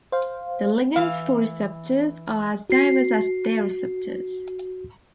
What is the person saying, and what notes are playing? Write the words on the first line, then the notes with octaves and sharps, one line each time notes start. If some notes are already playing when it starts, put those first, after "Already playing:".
The ligands for receptors are as diverse as their receptors.
C5 F5
E3 F5
F#4 C7